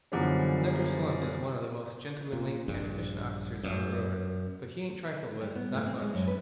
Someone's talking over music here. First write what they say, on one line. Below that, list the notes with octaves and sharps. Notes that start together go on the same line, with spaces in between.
Conductor Slum is one of the most gentlemanly and efficient officers on the road; but he ain't trifled with, not much.
F#2 B2 D3 E3 F3 G3
A#2
A#1 G2
F#2
G3
B3
A2
C4
G#3
F#2
B4